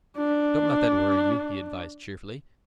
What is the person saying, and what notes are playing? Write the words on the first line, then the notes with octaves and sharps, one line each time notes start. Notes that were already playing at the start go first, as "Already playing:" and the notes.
"Don't let that worry you," he advised cheerfully.
D4